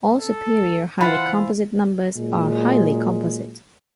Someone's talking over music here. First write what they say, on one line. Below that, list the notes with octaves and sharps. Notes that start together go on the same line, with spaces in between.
All superior highly composite numbers are highly composite.
A4
E3 F4 C5 F#5 B5
A#2 F#3 G#3